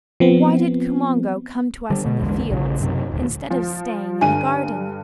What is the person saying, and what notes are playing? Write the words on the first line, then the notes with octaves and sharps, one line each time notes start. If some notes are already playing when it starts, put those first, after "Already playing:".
Why did Koumongoe come to us in the fields instead of staying in the garden?'
F3 B3 C4
D3 G3
B2
A#1 E2 D3 G#3
A#1 C#3
F#2 C3
D#1 D2
F3
G2 D3 G#5 D#7